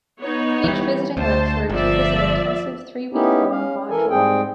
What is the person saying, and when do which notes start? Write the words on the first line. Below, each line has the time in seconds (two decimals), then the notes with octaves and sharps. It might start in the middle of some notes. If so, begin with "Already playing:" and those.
Each visiting lecturer teaches an intensive three-week-long module.
0.21 B3 D#4 C#5
0.64 E3 G3
1.17 D2 C5 A5
1.70 G1 F3 D5 E5
3.13 B3 C#4 D#4 E4 G4
3.51 C#4 F5
3.90 E3 A4 A#4 G#5
4.10 G#2 G3 C4 G#4 G5